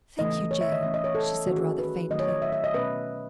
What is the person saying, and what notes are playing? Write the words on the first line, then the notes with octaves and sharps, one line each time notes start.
"Thank you, Jane," she said rather faintly.
C#3 E3 A3 D#5
C#5
E5
D#5
E3 A3 C#4 E5
D#5
C#5
A4
D#3 A3 C#4 F#4
G#4
B4
D#3 F#3 A3 C#4 D#5
C#5
D#5
E5
E5
D#5
B2 A3 C#4 B4